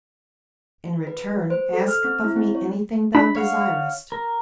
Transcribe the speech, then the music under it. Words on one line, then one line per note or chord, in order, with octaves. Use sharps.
In return, ask of me anything thou desirest.
B4
C5
A4
F6
C4
E4
C4
C#5
D4 B5
C#5 F5 F#5
A#4